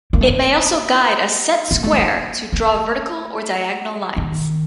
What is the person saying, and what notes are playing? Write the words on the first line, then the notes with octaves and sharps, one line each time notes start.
It may also guide a set square to draw vertical or diagonal lines.
A#3
A3
A#3
A#3
A3
A#3
A3
D#3